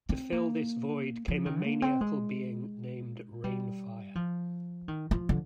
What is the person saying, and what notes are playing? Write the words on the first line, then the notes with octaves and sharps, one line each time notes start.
To fill this void came a maniacal being named Reignfire.
C4
A#3
F3
D#3
A#3
C4
G#3
G3
F3
D#3
F3
D3